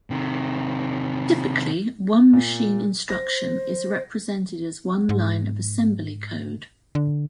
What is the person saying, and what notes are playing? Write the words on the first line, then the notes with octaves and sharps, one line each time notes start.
Typically, one machine instruction is represented as one line of assembly code.
C3 D#3
A#2
C5 A#6
G#2
D3